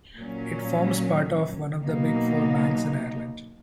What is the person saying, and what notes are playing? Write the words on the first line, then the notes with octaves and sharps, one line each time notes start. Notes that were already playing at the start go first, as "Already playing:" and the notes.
It forms part of one of the Big Four banks in Ireland.
A#2 F#3 C#4
B2 F#3 A#3 D#4